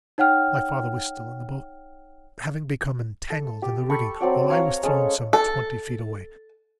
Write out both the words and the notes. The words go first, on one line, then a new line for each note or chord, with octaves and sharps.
My father was still in the boat, having become entangled in the rigging, while I was thrown some twenty feet away.
D#4 C#5 F#5 G5 F6
A4
G4
A4 G5 B5 C#6
F#3 C4 F#4 D5
C#5 F5 A#5
G#3 C#4 A4
A4